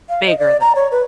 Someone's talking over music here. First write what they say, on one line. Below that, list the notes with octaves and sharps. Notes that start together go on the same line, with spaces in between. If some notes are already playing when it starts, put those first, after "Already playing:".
bigger than that.
F5
D#5
D5
A#5
C#5
B4